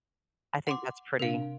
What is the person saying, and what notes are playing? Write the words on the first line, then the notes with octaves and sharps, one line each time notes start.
I think that's pretty.
F#5 C6 D6
C3 D4 A#4 F5